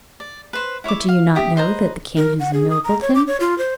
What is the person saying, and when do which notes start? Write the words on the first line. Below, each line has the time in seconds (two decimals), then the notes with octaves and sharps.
But do you not know that the king has ennobled him?
0.20 D5
0.53 B4 C5
0.84 E4 C#5 E5 D6
1.08 F5
1.35 G4 E5 D#6
1.56 B4 C5 D#5 A#5
2.17 A#4
2.40 F#5
2.54 G#4
2.70 D#6
2.84 A#5
3.02 C#5
3.15 D6
3.27 C#5
3.40 F4
3.58 C5